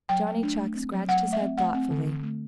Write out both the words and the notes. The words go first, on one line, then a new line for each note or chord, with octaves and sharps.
Johnny Chuck scratched his head thoughtfully.
F#3 G5
A3
D4
A3
C4
F#3
F#3 F#5
A3
E5
C4
A3 F#5
C4
D3
D3
A3